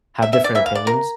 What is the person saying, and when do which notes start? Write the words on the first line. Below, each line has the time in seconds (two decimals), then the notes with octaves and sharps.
have different opinions.
0.22 E5
0.33 E5
0.44 D5
0.55 E3 A#3 E5
0.66 F5
0.75 D5
0.87 A#4